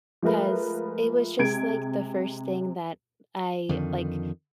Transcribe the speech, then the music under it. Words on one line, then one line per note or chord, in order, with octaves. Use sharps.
'cause it was just, like, the first thing that I like,
F3 G#3 A3 A#4 B4
C3 G#3 G#6 D7
F2 D3 D#3